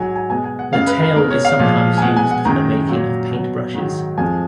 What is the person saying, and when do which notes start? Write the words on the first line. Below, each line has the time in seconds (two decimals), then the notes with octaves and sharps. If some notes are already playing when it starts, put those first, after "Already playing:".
The tail is sometimes used for the making of paintbrushes.
Already playing: G#2 F#3 G#5
0.16 G#5
0.30 B2 G#3 G#5
0.44 G#5
0.59 F#5
0.73 F#2 C#3 G#3 F5
0.87 B4
1.02 A#4
1.16 B2 G#3 A#4
1.30 C#5
1.45 F5
1.59 A#2 F3 G#3
1.98 G#5
2.02 B2 G#3 F#5
2.16 G#5
2.31 F#5
2.45 F#2 D#3 G#3 A#5
2.89 A#2 F#3
3.31 B2 F#3
3.74 G#2 D#3 F#3
4.18 F2 F3 G#3 G#5